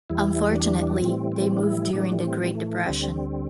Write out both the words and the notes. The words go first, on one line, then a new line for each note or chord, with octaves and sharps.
Unfortunately, they move during the Great Depression.
E2 E3 G3 E4
D4
A2 E3 G3 C4
C4
D4
E4
A2 E3 G3 D4
D4
C4
G3
A3
D2 D3 G3 C4